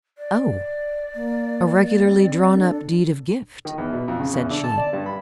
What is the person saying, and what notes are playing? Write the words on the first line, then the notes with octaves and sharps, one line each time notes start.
"Oh! a regularly drawn up deed of gift," said she.
D5
A#3
C4
D4 A4
D#3
E2
B2
F2
C#3
E2
D3
A5
D5
G2
B5